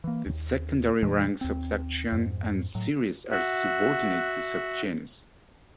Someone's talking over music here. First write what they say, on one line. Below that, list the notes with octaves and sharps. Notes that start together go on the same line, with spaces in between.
The secondary ranks of section and series are subordinate to subgenus.
E3 A#3
D#2
F2 A#2 E3 G#3
D#2 C4
F2 G#2
A2 F#3
F#4 E5 F#5